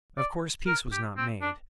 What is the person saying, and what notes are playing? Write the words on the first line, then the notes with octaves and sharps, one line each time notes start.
Of course peace was not made.
D5
A#4
G4
C4
D4